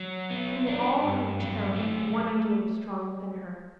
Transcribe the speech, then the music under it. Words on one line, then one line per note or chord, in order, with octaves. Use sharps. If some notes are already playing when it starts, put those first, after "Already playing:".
Through all her terror one idea was strong within her.
Already playing: F#3
B3
D4
G2
F#3
A3